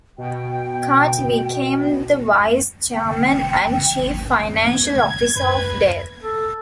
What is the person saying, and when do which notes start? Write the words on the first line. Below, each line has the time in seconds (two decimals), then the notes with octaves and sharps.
Carty became the Vice Chairman and chief financial officer of Dell.
0.18 B2 G5
2.94 G5
4.64 G#6
5.36 F#2 B4
6.23 A4